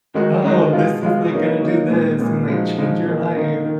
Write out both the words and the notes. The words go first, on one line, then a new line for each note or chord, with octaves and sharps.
"Oh, this is, like, gonna do this and, like, change your life,"
D#3 G#3 D#4 F#4
D#3 G#3 D#4 F#4
B2 G#3 B3 F4
B2 G#3 B3 F4
F#3 A#3 D#4
F#3 A#3 D#4
A#2 G#3 B3
A#2 G#3 B3
F3 G#3 D#4 F#4
F3 G#3 D#4 F#4
D#3 A#3 D#4
D#3 A#3 D#4
D#3